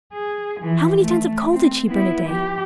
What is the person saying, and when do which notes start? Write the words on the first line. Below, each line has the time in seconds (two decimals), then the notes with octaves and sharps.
How many tons of coal did she burn a day?
0.13 G#4
0.60 E3 F3
1.01 A3
1.51 C4
1.89 B3 E4
2.25 F3 G4